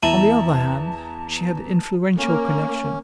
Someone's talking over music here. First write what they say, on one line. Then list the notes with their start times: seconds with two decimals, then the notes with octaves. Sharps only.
On the other hand, she had influential connections.
0.03 E2 E4 A5 A#5 D#7
2.18 A#3 C#4